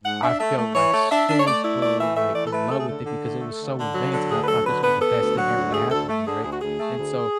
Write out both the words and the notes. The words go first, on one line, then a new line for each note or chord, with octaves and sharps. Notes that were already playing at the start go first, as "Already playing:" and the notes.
I felt, like, super, like, in love with it because it was so advanced and I thought this was the best thing ever to happen to me, right, and so,
G#2 F#5
D4 E5
A3 E5
A3
E3 C#5
A3
D4 E5
D4
C#5
A3 D5
E4 D5
A3 D5
E3 E5
A3 E5
E3 D5
A4
A3 B4
C#3 A4
G#4
D3 A4
D3
A3
A3
D3
D3
F#3
D3
D2 G#4
B4
F#3 A4
D3 B4
B3 B4
B3 A4
D2
F#3 F#4
D2
A3 G#4
D2 A4
A3
D3 G#4
D2 G#4
F#4
D2 G#4
A3
D2